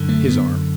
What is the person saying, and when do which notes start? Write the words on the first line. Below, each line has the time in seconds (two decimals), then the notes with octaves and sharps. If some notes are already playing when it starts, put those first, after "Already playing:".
His arm.
Already playing: F#2 D3
0.09 A3
0.28 B3